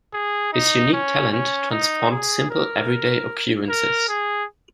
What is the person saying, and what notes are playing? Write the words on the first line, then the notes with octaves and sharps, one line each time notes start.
His unique talent transformed simple everyday occurrences.
G#4
D#4
C#4
C#4
D#4
G#4
A#4
A#4
G#4